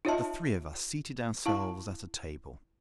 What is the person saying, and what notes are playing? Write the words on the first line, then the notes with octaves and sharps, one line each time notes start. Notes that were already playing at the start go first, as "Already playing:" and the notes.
The three of us seated ourselves at a table.
D#4 F4 C#5 D#5 E5 A5
E4 F5 A5